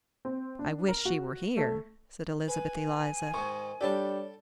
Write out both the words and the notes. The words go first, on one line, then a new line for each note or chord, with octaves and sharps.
"I wish she were here," said Elizabeth Eliza.
C4
D4
A#4
F#4
A3
B4 G#5
G#2 D#3 C#6
G3 D4 G4 A4 C#5 D5 G5 A5